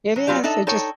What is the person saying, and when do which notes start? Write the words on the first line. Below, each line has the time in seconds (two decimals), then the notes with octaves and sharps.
It is, it just
0.16 F#3
0.27 F#3 B3 F4 G4 D5
0.43 D4 D#4 A4 E5
0.67 D#4 A4 C#5 G5